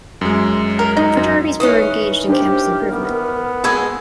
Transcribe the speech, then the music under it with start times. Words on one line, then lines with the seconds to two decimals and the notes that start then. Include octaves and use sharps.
Fraternities were engaged in campus improvement.
0.21 F#2 G#3
0.79 A#4
0.97 D#4
1.17 F#2
1.60 D#3 E3 C#4 B4 D#6
2.28 D4 G4 A#4 C5
2.90 B3
3.64 G#3 G#4 A4 B5 E6 G#6